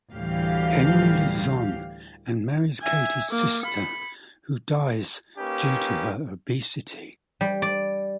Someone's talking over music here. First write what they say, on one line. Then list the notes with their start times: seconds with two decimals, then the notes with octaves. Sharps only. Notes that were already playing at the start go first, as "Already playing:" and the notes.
Henry lives on and marries Katy's sister, who dies due to her obesity.
0.13 D2 A2 E3 G3 G4 F5
2.82 E5 G#5
3.31 A#3 D6
3.62 B5 C#7
5.38 A#3 C#4 D#4 G4 B4
7.41 G3
7.62 D5